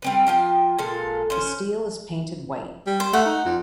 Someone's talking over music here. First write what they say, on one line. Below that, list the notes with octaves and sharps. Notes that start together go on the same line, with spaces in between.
The steel is painted white.
G3 C4 B4
F3 F4 G5
A#2 G#3 A4 F5
C#4 C5
G3
C5
A3 F#5
D#4
F2